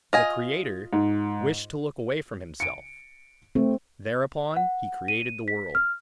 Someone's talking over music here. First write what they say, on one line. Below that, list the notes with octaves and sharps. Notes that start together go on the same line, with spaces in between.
The creator wished to look away from himself,--thereupon he created the world.
F4 D#5 G#5
G#2
C#7 D7
A3 C4
F#5
D#7
B6
F6